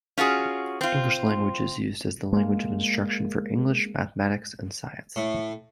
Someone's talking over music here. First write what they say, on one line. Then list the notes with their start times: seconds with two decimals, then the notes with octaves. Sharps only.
English language is used as the language of instruction for English, Mathematics, and Science.
0.18 C#4 F4 F#4 G#4
0.81 C4 F4
2.33 G#3 A#3
5.16 A2